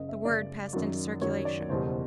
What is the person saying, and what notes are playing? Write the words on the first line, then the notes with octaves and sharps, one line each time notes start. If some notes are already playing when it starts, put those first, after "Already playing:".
The word passed into circulation.
Already playing: F#1 F#2 C#3 D#5
E5
F#1 F#2 C#3 D5
F#2 D#3 F#3
F#2 D#3 F#3 C#5
D5
F#1 E2 B2 G3 C5